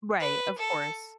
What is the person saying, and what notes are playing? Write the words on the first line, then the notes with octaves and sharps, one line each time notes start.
Right, of course.
B4
A4